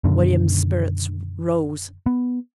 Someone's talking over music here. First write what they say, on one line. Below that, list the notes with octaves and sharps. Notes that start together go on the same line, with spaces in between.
William's spirits rose.
F#2 B2 D3 D#3
B3